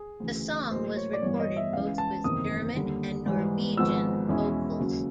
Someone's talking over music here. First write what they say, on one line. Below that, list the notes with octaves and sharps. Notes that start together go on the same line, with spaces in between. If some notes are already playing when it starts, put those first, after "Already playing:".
The song was recorded both with German and Norwegian vocals.
Already playing: G#4
D2 C#3 E3
A2 F#3 A#3 C5
C#5
D5
G1 G2 E3 G3 B3 C#5
D#5
E5
C#2 C#3 E3 F5
A5
F#1 E2 C3 D#3 D#6
D#2 D3 G3
G#2 E3 G3
G#1 G#2 F3 G#3 B3 E6
E2 B2 G#3 C#4 E4
D#2 C#3 F#3